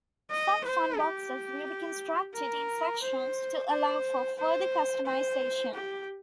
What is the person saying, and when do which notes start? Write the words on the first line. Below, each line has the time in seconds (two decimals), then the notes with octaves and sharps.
Some funboxes will be constructed in sections to allow for further customization.
0.30 D#5
0.64 C5
0.98 G4
2.34 A#4
3.02 C5
3.70 C5
4.38 C5
5.06 C5
5.74 G4